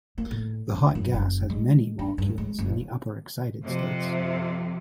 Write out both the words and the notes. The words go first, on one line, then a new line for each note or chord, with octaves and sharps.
The hot gas has many molecules in the upper excited states.
A#3
A2
D2
F#2
F#1
G#3
D4
G2
G#3
F#1
F2 C3